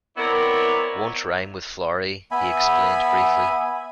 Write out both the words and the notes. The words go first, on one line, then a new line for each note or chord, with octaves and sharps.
"Won't rhyme with Florrie," he explained briefly.
B3 C4 E4 A#4 C#5 D5
B3 E5 G#5 B5